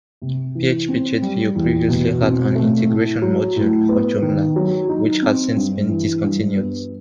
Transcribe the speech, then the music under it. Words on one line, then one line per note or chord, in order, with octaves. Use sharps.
PhpGedView previously had an integration module for Joomla which has since been discontinued.
C3
E3
C4
G3
E2
B2
C4
A3
A2
F#3
A2
B3
D#3
F#3
D#4
C4
G2
E3
G2
B3